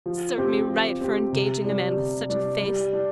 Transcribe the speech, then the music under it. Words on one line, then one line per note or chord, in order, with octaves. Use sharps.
Serve me right for engaging a man with such a face.
F3
C4 G4
F3
C4 G4
C3
G3 D4
C3
G3 D4
G3
D4